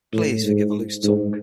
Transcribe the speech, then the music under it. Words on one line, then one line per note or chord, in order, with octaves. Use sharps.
Please forgive a loose tongue.
A2
G#2
G#2